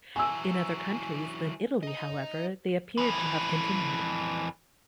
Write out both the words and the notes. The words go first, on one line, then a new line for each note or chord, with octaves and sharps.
In other countries than Italy, however, they appear to have continued.
E3 F#3 G#5 E6
D#4 D#5
F2 E3